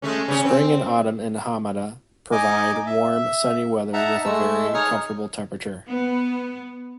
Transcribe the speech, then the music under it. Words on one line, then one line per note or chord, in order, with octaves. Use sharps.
Spring and Autumn in Hamada provide warm, sunny weather with a very comfortable temperature.
G#3 A3 C#4
C#3 C#4
C4
D#4 D#5 G#5 D6
E5
D#4 E5 F#5 A5 A#5
G#3 A3 E6
D#4 G#4 C#5 C#6 D#6 F6
B3